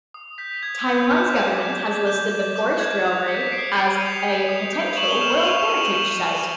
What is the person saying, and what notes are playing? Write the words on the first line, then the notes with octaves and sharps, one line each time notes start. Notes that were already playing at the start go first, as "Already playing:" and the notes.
Taiwan's government has listed the forest railway as a potential World Heritage Site.
D#6
G6 B6
D#6 G#6
G6
D6 G6
G6
D6
G6
D6 G6
G6
D6 G6
G6 G#6
D#6
G6 B6 C#7
D#6 C7 D7
G6 C#7 D#7
D#6 D#7 F7
G6
D#6
G6
C#6 E7 F#7
F7 G7
F6 E7 F#7
E7 F#7
C#6 D#7 F7
D#7 F7
F6
E7 F#7
C#6 E7 F#7
F6